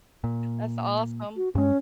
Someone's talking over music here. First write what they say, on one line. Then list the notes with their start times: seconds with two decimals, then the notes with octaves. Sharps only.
That's awesome.
0.24 A#2
1.36 F#4
1.55 G2 G#3 C#4